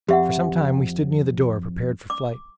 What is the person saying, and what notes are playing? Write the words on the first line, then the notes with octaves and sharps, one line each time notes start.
For some time we stood near the door, prepared for flight.
F2 G4 E5 F#5
D6